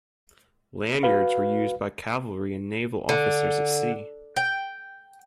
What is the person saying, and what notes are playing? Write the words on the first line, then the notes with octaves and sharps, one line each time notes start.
Lanyards were used by cavalry and naval officers at sea.
F#4 B4 F5
D3
G5